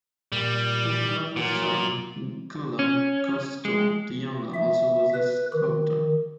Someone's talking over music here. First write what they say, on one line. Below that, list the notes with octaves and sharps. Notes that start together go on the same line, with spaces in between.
His brother's son, Guillaume Coustou the Younger, also was a sculptor.
A#2 G3
A#2 F#3
C#4
G#3
E5
B4
D#3